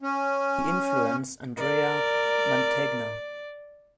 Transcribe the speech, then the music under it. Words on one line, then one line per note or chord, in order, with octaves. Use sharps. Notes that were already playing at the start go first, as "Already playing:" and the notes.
He influenced Andrea Mantegna.
C#4
A#4 D5